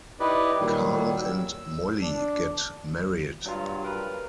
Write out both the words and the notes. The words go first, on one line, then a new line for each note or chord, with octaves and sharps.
Carl and Molly get married.
D#4 E4 G4 B4 D5 D#5
A#2 D#3 F#3 G3
E6
D4
G2 F#3 F4
A#4 B4